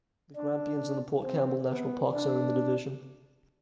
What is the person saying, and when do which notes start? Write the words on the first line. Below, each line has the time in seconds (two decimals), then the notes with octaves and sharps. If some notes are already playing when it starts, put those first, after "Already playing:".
The Grampians and the Port Campbell National Parks are in the division.
0.36 D4
1.23 C4
1.68 B3
2.12 D4